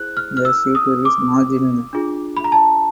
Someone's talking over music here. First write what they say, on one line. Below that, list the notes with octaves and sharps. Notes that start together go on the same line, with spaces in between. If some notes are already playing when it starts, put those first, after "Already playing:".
The suture is margined.
Already playing: E4 G#4 C5 F#6
F6
F6
E6
D#6
D6
D4 F4 G#4
B5
A#5
A5